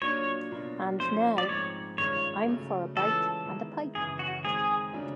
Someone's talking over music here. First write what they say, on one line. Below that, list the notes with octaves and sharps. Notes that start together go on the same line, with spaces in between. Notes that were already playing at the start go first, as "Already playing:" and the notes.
And now I'm for a bite and a pipe.
A#2 F#3 A#3 D4 F4 C#5
B2 F#3 A#3 D4 F4
A#2 F3 A3 C#4 C5
D5
G#2 F3 G#3 C4 D#4 C#5
G2 D#3 G#3 C#4 F4 C#5
C#3 F#3 A3
E3 G#3 C#4 F4 A4
D#3 G#3 B3 E4
F#2 C#3 E3 G#4
F#4
D#3 G#3 C4 G#4
C#3 F#3 A3 D4